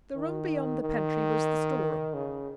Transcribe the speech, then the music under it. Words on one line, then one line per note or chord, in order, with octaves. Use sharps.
The room beyond the pantry was the storeroom.
D#3
D#3
C#3